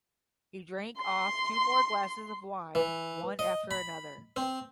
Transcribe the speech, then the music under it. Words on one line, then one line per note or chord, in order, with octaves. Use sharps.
He drank off two more glasses of wine, one after another.
C6
E3
D#5
B5
C4